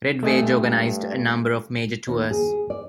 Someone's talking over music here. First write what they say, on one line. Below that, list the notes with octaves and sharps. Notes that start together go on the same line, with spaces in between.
Red Wedge organised a number of major tours.
G2 A3 D#5 G#5
D#2
G#4
D5